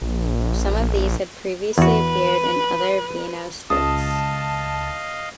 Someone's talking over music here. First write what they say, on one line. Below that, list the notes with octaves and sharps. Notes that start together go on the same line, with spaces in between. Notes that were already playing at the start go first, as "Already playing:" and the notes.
Some of these had previously appeared in other Beano strips.
A#1
E2 F#4 B4
C#2 D#5 F5 A5 D#6